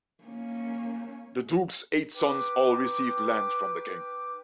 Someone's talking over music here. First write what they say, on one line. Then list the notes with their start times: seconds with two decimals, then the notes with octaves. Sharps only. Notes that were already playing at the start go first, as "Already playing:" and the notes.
The duke's eight sons all received land from the king.
0.24 A#3 C#4
2.14 D#4 B4 G5 D6